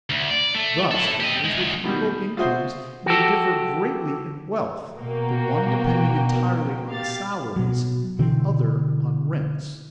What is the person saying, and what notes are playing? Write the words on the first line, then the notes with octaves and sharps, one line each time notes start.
Thus, families with equal incomes may differ greatly in wealth, the one depending entirely on salaries, the other on rents.
D2
D5
A3
E4 A4
G4 D#5
D2 G#3
B2 D#3 G3
F4 F#4 G#4 C5 E5
F#4 G4 A4
B2 A#3 F#4 G5
G4 F5 A6
B2 F#3
B2 D3 E3 C4